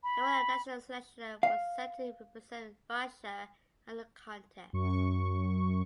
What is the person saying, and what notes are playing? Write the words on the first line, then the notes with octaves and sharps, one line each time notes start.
They won the national selection and were set to represent Russia at the contest.
B5
F5
F#2 C#6